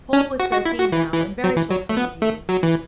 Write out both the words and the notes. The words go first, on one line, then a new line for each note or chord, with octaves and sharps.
Paul was thirteen now and very tall for his years.
C#4
F#4
F#4
E4
F#4
E3
E3
F#3
E3
F#3
A3
B3
A3
F#3
E3